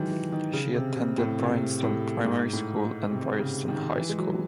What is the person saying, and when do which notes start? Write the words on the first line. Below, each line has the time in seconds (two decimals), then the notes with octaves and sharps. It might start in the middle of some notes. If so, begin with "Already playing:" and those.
She attended Bryanston Primary School and Bryanston High School.
Already playing: D#3 E3 F#3 G#3
0.11 E3
0.32 D#3
0.53 C#3
0.75 C3
0.96 C3
1.18 A2
1.39 C3
1.83 A2
2.25 G#2
2.53 A2
3.11 C3
3.39 C#3
3.68 D#3
3.96 E3
4.09 G#3
4.18 F#3